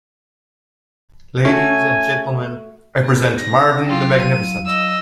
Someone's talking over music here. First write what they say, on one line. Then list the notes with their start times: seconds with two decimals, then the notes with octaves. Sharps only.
Ladies and gentlemen, I present Marvin the magnificent.
1.45 A3 C#4 F#4 G#5
3.03 B3 G#4 B4
3.39 D#4 A#6
3.88 F#3 E4 F4 G4 F5
4.21 D#7
4.66 D#5 E6